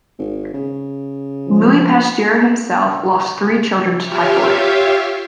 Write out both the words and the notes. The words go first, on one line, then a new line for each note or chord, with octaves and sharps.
Louis Pasteur himself lost three children to typhoid.
G#1
C#3
F3
F4 G4 C#5 E5 F5